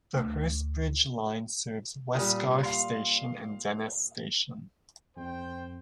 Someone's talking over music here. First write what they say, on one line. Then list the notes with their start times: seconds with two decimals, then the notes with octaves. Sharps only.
The Hurstbridge Line serves Westgarth Station and Dennis Station.
0.16 D2
2.15 A#2 G3 D#6
2.63 F5 C6
5.17 F2 C5 G5